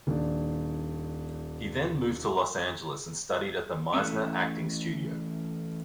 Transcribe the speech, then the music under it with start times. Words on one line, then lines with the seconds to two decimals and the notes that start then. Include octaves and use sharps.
He then moved to Los Angeles and studied at the Meisner Acting Studio.
0.07 D#1 D4
3.94 E3 A3 C#4